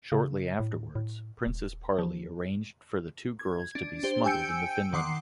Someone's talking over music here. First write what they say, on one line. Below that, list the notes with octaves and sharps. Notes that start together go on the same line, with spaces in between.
Shortly afterwards, Princess Paley arranged for the two girls to be smuggled into Finland.
C#3
A2
A2
D#1
F3
G#6
D4
D4 G4 C5
G5 G#5 E6 G6 C#7 D7
D#3 F#5 C6 D6 C7